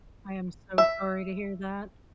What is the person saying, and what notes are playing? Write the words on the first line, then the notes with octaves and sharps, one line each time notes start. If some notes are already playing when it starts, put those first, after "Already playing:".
I am so sorry to hear that.
E5